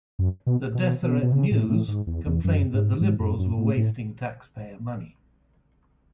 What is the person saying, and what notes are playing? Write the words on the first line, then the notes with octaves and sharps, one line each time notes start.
The "Deseret News" complained that the Liberals were wasting taxpayer money.
F#2
B2
B2
B2
B2
C#3
A2
A2
G#2
E2
E2
F#2
G#2
G#2
F#2
F#2
A2
A2